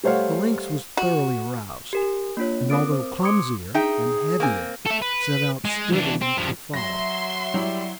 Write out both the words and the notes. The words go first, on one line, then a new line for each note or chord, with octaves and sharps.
The lynx was thoroughly aroused, and although clumsier and heavier, set out sturdily to follow.
G3 A3 C5 C#5 F5 F#5
F#4
G4 A#4 G#5
A#3 D4 F4 C#5
C4 A#4 D6 D#6 A6 D7
C5
C6 D6 D#6 G#6 C#7 D7
D#4 G#4 E5 G5
A#3 C4 G#5
A4 E5
B4
G#3
E3 D4
C4
G2 F3
F#3 E5 C6 A#6
F#3 G3 E4